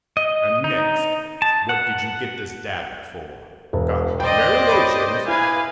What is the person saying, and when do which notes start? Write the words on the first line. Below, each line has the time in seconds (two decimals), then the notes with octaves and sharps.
And next, what did you get this dagger for? Come, no evasions!
0.17 D#5
0.64 D#4
1.42 A5
1.69 F#5
3.73 E1
4.20 C5 D5 D#5 G5
4.69 C#5 B5
5.28 E4 B4 F5 G#5